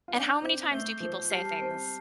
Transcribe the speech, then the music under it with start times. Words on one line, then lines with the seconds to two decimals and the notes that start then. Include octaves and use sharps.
And how many times do people say things
0.08 F4
0.14 D4 D6 G6 F7
0.42 C4
0.72 A3 G6 C7 G7
1.00 F3
1.30 G3 A5 F6 C7
1.60 C4